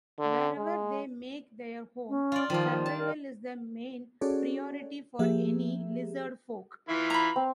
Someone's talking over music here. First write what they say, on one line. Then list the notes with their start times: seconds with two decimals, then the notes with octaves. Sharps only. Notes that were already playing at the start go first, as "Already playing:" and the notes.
Wherever they make their home, survival is the main priority for any lizardfolk.
0.19 D3
0.57 G#3
2.09 C#4
2.32 F4 D5
2.50 D#3 F3 G3 F4
2.70 F3
2.86 A5
2.98 A#4
4.21 C#4 F#4 G#4 A4 C#5 D5
5.19 F3 A#3 G4 G#4 E5
6.89 E3 E4 F4
7.10 A#5 B5
7.36 C4